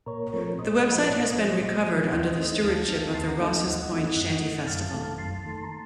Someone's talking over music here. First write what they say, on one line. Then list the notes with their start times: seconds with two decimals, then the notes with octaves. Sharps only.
The website has been recovered under the stewardship of the Rosses Point Shanty Festival.
0.06 A#2 A#4 C#5
0.33 F3 A3 C4
0.58 A#2 C5 D#5
0.84 F3 A3 C4
1.10 A#2
1.35 F3 A3 C4
1.61 A#2
1.86 F3 A3 C4
2.11 D#2 C5 D#5
2.37 D#3 A3 C4 D#4
2.63 D#2 F5 A5
2.88 D#3 A3 C4 D#4
3.13 D#2 A5 C6
3.27 F#5 A#5
3.39 D#3 A3 C4 D#4 C5 D#5
3.53 D#5 F#5
3.65 D#2
3.91 D#3 A3 C4 D#4
4.16 F#2
4.42 D#3 A3
4.67 F#2 F5 A5
4.93 D#3 A3
5.18 F#2 A5 C6
5.45 D#3 A3
5.63 A#5
5.69 A5 C6